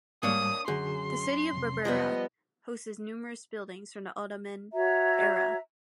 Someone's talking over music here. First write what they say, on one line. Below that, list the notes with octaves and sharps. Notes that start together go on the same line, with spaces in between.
The city of Berbera hosts numerous buildings from the Ottoman era.
G#2 G3 A#3 D4 C#5 D#6
F#2 D3 F#4 G#4 C6
F2 C3
F3 G3 B3 D#5
F#4 C#5 E5 A#5